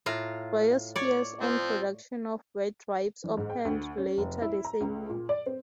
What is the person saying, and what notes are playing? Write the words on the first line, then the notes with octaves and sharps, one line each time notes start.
Biosphere’s own production of wet wipes opened later the same year.
A2 F4 A#5
C#5 D5
F3 C4
E3
G#2
G5
D2
C#4
F1
E4
A#5
C#2
A#2
D5
C4